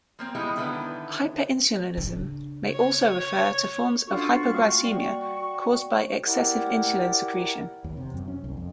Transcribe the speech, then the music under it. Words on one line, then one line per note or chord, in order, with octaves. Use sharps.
Hyperinsulinism may also refer to forms of hypoglycemia caused by excessive insulin secretion.
F3 A#3 C4
F3 G3 G#3 B3 E4
D3 D#3 B3 E4 G4 B4
C#3 D4
C#5
C#4 D4 F4 F#4 A4 C#6
G3 A#3
F#4 D5 G5 C#6
E4 G4 A#4 D5 F#5
D#2
C3
F#2
C#4
C2
F2